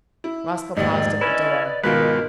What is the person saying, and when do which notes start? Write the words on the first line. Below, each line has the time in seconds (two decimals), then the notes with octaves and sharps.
Roscoe paused at the door.
0.24 E4
0.77 F1 D#2 G#2 D5 D#5
1.21 C#4 E4 B4
1.84 G#1 B2 D#3 G#3 F4 A#4 B4